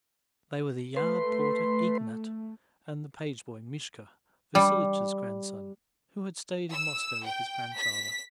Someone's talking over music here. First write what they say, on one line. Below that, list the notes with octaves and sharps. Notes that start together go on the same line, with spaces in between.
They were the yard porter Ignat, and the page boy Mishka, Vasilich's grandson who had stayed in Moscow with his grandfather.
A3 B4 C6
G3
E6
G5
B6